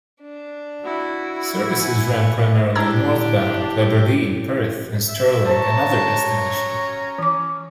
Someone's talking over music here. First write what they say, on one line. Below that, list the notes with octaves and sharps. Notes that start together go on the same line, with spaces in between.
Services ran primarily northbound, to Aberdeen, Perth and Stirling and other destinations.
D4
E4 F#4
F#5 G#5
D4 E4 G4 C#5 A#5 E6 G#6
E5
C5 C#5 A5 A#5
C#4
E3 D6